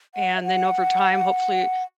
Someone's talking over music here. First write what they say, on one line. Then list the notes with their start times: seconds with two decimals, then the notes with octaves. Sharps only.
and then over time, hopefully,
0.15 F#5
0.37 E5
0.44 F#5